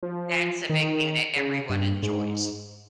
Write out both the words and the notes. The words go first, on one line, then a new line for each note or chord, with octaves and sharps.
That's a big thing that everyone enjoys.
F3
D#3
C#3
G2
G#2